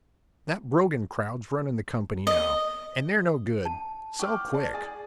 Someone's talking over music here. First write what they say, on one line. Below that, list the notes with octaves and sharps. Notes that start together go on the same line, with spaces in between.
That Brogan crowd's runnin' the company now, and they're no good, sell quick.'
D#5
A5
G5 C#6 D6 F6
D5 A5
G#4 G#5 A6